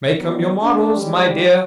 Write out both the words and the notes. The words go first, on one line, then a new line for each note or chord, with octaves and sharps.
Make 'em your models, my dear.
A#2 D#3 F#3 G3 B3
G#3 A#3 D4
G3 G#3 C#4 G4